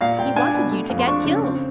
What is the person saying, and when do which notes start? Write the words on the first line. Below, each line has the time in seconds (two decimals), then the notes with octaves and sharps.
He wanted you to get killed.
0.01 A#2 F5
0.18 A#2 G5
0.36 D4 G#5
0.54 B2
0.72 A3
0.90 F2
0.99 C6
1.07 D4 C#6
1.25 C#3
1.44 C4